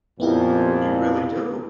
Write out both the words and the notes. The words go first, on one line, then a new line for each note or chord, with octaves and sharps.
You really do.
F2 A#2 B3 E4 G4